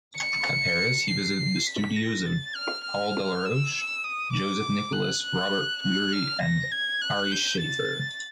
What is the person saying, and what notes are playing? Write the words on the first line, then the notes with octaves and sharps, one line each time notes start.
At Paris, he visited the studios of Paul Delaroche, Joseph-Nicolas Robert-Fleury and Ary Scheffer.
C#7
C7
B6
A#6
A6
F6
F6
E6
D#6
D6
F#6
F#6
F#6
F6
A#6
G#6
F#6
G6
A6